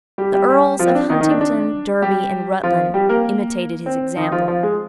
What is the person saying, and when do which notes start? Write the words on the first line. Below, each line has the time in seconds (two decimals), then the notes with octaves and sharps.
The earls of Huntingdon, Derby, and Rutland imitated his example.
0.18 G3 G4
0.33 G3 G4
0.49 G3 G4
0.79 F3 F4
0.87 C4
0.95 D4
1.10 D#3 D#4
1.20 D#3 D#4
1.31 D4
1.41 D4
2.02 G3 G4
2.63 F3 F4
2.94 G3 G4
3.09 A#3 A#4
3.86 C4
4.17 D#3 D#4
4.32 F3 F4
4.48 F3 F4
4.63 G#3 G#4